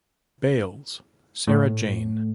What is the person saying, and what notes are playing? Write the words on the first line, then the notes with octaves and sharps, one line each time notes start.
Bailes, Sara Jane.
A2